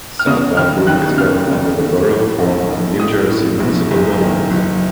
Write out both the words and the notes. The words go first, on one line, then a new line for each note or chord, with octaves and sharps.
South Bound Brook is governed under the Borough form of New Jersey municipal government.
F6
C#3 D#6
D#2 F6
D#2 F#6
C#3 F6
C#3
D#2
A2
A#1
A#1
A2 D#6
A2
A#1
F#1
D#3
F#1